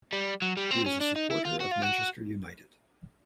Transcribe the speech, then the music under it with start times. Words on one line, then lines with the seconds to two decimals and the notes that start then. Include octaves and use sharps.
He is a supporter of Manchester United.
0.13 G3
0.42 F#3
0.57 G3
0.71 C4
0.86 C#4
1.01 D4
1.16 D#4
1.31 E4
1.45 F4
1.60 F#4
1.71 F4
1.82 F#4